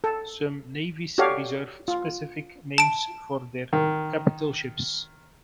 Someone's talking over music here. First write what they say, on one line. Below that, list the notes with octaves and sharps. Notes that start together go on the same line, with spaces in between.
Some navies reserve specific names for their capital ships.
A4
F#4 G4 A4 C#5 D5 F5
F4
A5 D7
D#3